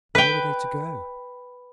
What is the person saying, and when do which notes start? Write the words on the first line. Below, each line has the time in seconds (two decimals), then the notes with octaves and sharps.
Where were they to go?
0.15 B4 G5